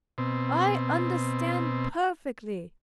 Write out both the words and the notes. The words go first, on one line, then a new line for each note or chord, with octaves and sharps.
I understand perfectly.
B2 C4